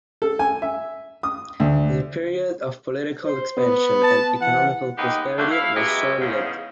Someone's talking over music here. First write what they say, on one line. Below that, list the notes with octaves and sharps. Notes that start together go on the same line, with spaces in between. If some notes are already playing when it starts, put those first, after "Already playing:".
The period of political expansion and economical prosperity was short-lived.
A4
G#5
E5
D#6
D2
C5
B3
A5
E3 F#5
D#2 G#3 B3 D#4 G4
D3 F#3 A3 A#3
E4 F5
F#2 B2 G#3 G4 E5
E2 G#2 C#3